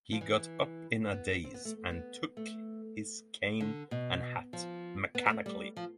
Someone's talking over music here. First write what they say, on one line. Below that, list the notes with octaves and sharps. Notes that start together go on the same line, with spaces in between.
He got up in a daze and took his cane and hat mechanically.
F3
E3
B3
C4
B3
A3
B3
A3
D3
B2
F3
B3
G3
A3
G3
F3